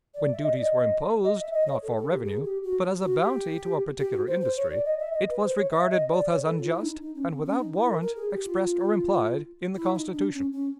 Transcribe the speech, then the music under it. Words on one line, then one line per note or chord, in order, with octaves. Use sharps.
When duties were imposed, not for revenue, but as a bounty to a particular industry, it was regarded both as unjust and without warrant, expressed or implied, in the Constitution.
D5
E5
D#5
D5
D#5
D#5
E5
D#5
C#5
A4
A4
G4
G#4
G4
F#4
F#4
G4
G4
F#4
C5
C5
C#5
D5
D#5
E5
D#5
B4
C5
C#5
E5
D#5
D5
C#5
A4
F4
E4
D4
D#4
D#4
C#4
C4
C#4
D#4
E4
A#4
A#4
G#4
G4
F4
E4
D#4
D4
C#4
C#4